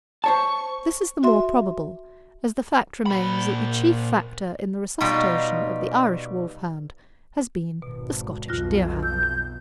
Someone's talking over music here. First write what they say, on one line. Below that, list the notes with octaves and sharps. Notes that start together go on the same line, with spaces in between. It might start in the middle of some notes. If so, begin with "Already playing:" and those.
This is the more probable, as the fact remains that the chief factor in the resuscitation of the Irish Wolfhound has been the Scottish Deerhound.
C5 C#5 A5 C#6
F#4 E5 C6
A#2 B5
B2 G3 D#4 F4
G#1 B2
B1 F2 B2 F4 F#6 A#6
E6 G6